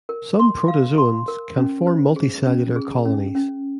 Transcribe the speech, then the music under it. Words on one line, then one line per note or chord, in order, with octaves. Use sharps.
Some protozoans can form multicellular colonies.
A#4
C6
F5
C6
A#4
C#4
C5
G#4
C#4
G#4
C#4
C#4